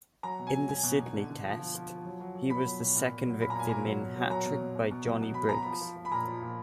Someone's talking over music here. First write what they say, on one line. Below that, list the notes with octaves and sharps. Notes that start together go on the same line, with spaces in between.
In the Sydney Test, he was the second victim in hat-trick by Johnny Briggs.
F#3 A#5
B2
G#5
F#3
B2 G#5
B2
B2
D3
D3
F3
F3
F3
F3
F#3
F#3
F#3
B2 B5
F#3
B2
A#2
A#2
F#3
A#2 B5
A#5
A#2 G#5
A#2 A#5
F#3
B2
F#3
F#3 A#5
B2
B2
B2
B2
F#3
B2
F#3 B5
B2 A#5
F3 B5
F3
F3
B5
A#2 A#5
F3
A#2